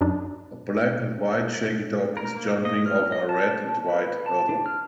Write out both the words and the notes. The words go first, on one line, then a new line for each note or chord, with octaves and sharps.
A black and white shaggy dog is jumping over a red and white hurdle.
F#2 D4 D#4
A#4
A#3
D#5
F6
D#5
A5
B4
A5
D4
F6